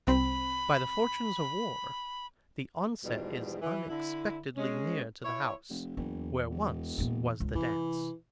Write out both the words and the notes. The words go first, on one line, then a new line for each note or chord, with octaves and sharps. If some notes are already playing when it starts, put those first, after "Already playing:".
By the fortunes of war the onset is unexpectedly near to the house where once was the dance.
C2 C4 B5
E2 G#2 B2 F3 G3
E3
D3 E4
G#3 C#4
E4 C#5
F1
F#1 E2
E1
E2 A#2
C#2
C3 E3